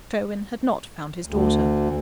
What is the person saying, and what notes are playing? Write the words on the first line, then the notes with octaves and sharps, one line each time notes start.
Sherwin had not found his daughter.
D2